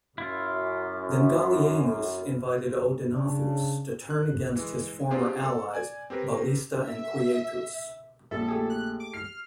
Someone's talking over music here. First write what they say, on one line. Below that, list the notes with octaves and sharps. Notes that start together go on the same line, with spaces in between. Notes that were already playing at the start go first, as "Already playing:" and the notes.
Then Gallienus invited Odenathus to turn against his former allies, Ballista and Quietus.
F#2 E4 F4
C#3 D4
F#6
E3 G#3
C4 D4 F4 G4 G#4 C5
A4
D5 G#5 G#6
C4 G4 A#4 B4
E5
A#1 F2 A4 E5
A3 G4 G#4
F#6
D6
F6 C7